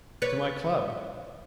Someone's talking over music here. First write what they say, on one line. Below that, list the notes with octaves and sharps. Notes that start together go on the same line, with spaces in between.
"To my club."
B4 C#5 D5